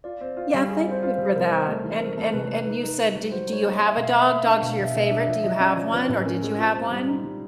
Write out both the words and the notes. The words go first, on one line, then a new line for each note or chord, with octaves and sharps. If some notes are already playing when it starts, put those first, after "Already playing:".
Yeah, thank you for that, and and and you said, do do you have a dog? Dogs are your favorite. Do you have one, or did you have one?
F4 D5
C4
F4
G3
G#4 D5
C4
C5
F4
G3 C5
C3 A#4
C4
A3
E3
C4 A#4
A3
C3 B4
A3
D#4 B4
D#4
D#4
G3
F#4 C5
D#4
C#5
A#3
A#3 D#5
E5
B2 F5
A#3
E5
A#3
F5
D4
B2 F5
B2 E5
B2 D#5
D4 E5
F3 E5
F3 D#5
C#4 D5
F3 C#5
F3 B4
A2
C#4 A#4
G#3
C4 F4
C4
G3
D#4
G3